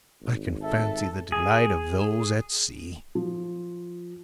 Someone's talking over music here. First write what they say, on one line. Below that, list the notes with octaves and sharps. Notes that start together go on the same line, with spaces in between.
I can fancy the delight of those at sea.
G#1
A4 E5
G#4
F3